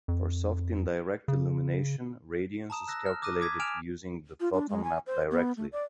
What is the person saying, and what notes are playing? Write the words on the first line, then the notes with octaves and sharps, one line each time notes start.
For soft indirect illumination, radiance is calculated using the photon map directly.
F2
C#3
A5 A#5 D#6 E7
E6 F#6 A#6
F6
D6 D#6 F#6 A#6 D#7
D6 D#6 G#6 B6
G#5 F6 D7 E7 F7
F4
D4
G#3
G#5
C5
B3
A3
D5